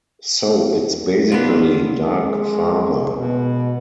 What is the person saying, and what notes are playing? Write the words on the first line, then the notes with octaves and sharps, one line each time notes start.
So it's basically Dark Father.
B3 D4 F4
G#3
B2